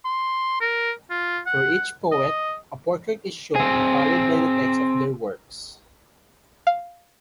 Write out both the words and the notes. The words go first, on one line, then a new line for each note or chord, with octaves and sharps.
For each poet, a portrait is shown, followed by the text of their works.
C6
A#4
F4
F#5
D#5
C4 G#4
F5